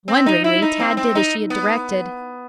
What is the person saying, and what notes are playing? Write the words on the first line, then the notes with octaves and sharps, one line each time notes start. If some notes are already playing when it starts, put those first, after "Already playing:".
Wonderingly, Tad did as she had directed.
C4
D#4
E4
D#4
C4
C4
D#4
B3